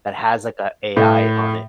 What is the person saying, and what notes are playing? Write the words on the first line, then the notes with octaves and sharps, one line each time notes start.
that has, like, a AI on it
A2